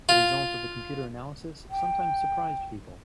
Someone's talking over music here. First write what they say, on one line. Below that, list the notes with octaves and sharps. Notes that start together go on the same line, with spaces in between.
The results of the computer analysis sometimes surprised people.
F4
G5